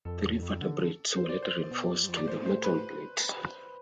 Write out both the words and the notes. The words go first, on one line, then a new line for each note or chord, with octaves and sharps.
Three vertebrae were later reinforced with a metal plate.
F2 A4
E2
F2
D3
C5
D5
C5
B2
F2
G2
F2
D5
A2 C5
C5
B4